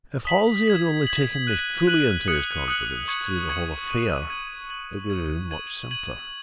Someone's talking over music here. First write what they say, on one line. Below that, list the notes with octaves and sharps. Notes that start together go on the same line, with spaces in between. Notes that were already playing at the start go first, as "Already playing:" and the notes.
If Halsey had only taken me fully into his confidence, through the whole affair, it would have been much simpler.
D#6 B6 F#7
G#6 B6 F#7
G#6 B6 F#7
F#6 D#7 F#7
F#6 D#7 F#7
D#6 F#6 C#7 F#7
D#6 F#6 C#7 F#7
C#6 G#6 C#7 F#7
C#6 G#6 C#7 F#7
G#6 D#7 F#7
G#6 D#7 F#7
G#6 D#7 F#7
G#6 D#7 F#7
G#6 D#7 F#7
G#6 D#7 F#7